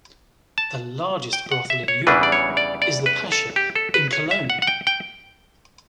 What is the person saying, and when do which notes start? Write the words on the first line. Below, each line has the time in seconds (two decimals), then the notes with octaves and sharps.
The largest brothel in Europe is the Pascha in Cologne.
0.58 A5
1.33 G5
1.52 F#5
1.70 E5
1.88 C#5
2.07 E2 C#3 E3 G3 D4 B4
2.23 D5
2.32 C#5
2.57 D5
2.82 D5
3.06 B4
3.32 A4
3.56 G4
3.75 A4
3.94 B4
4.13 C#5
4.31 E5
4.50 F#5
4.62 F#5
4.67 G5
4.87 G5